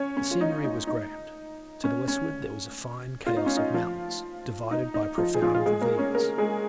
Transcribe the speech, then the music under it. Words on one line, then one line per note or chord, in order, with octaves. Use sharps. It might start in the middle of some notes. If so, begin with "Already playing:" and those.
The scenery was grand: to the westward there was a fine chaos of mountains, divided by profound ravines.
Already playing: C#4 C#5
C#4
F4
D#4
D#4
D#4
C#4
C#4
F4
D#4
C#4
D#4
F3 F4
D#4
D#4
F3 F4
G#4
F3 F4
F4
G#3 G#4
A#3 A#4
C#4 C#5
A#3 A#4
G#3 G#4